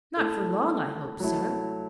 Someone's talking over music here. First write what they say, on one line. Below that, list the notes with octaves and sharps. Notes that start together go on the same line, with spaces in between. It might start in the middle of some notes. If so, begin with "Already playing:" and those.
"Not for long, I hope, sir."
A3 E4 A4
F#3 A3 E4